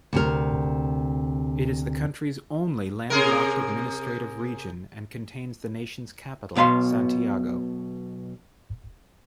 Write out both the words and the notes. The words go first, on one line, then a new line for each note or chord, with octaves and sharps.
It is the country's only landlocked administrative region and contains the nation's capital, Santiago.
D2 C3 A#4
C3 G#4 A#4
B1 B2 F5 B5 C6